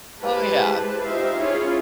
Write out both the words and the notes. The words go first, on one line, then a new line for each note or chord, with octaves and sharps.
Oh, yeah.
G#3 E4 G4 B4 C5 A5
D#4 F4 G4 C5 E5 F5
C#4 E4 F4 G#4 C#5